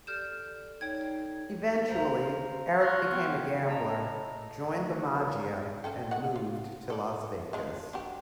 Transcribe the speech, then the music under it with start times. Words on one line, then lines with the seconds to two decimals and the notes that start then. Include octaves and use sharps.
Eventually Eric became a gambler, joined the Maggia and moved to Las Vegas.
0.07 G4 A4 D5 F6 G6 E7
0.81 D#4 C#5 G5 G#6
1.89 C5 F5 A#5
2.80 C6 C#6 F6 F#6 G#6 A#6
3.12 B3 F#5 G5
3.69 D#5 A5 A#5
4.75 E3 A3 D4 F#4
5.11 G3 B3 C#4 F4 A#4
5.84 C#4 A4 G5
6.11 D#3 G#3 F#5
6.36 F4
6.90 A4 D5
7.53 G#3 D4 F4
7.93 D4 F#4 G4